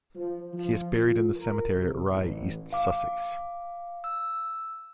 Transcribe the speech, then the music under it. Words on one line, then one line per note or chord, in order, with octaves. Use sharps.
He is buried in the cemetery at Rye, East Sussex.
F3
F3
F4
A#4
C3
A1
F5 D6
E6